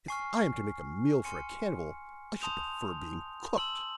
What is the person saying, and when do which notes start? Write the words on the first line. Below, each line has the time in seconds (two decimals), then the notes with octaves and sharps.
"If I am to make a meal for a cannibal, I should prefer being cooked."
0.08 G#5 C#6 F6 C7
1.25 G#5 C6 F6 C#7
2.42 A5 C6 D#6 G6 F7
3.58 A5 C6 E6 F#7